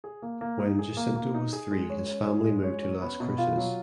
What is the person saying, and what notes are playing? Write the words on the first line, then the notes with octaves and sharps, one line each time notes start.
When Jacinto was three his family moved to Las Cruces.
G#4
A#3
A#3
D#4
G#4
A#3
A#3
D#4
G#4
G#3
C#5
C#4
G#4
G#3
C#5
C#4
B3
B2
F4
F#3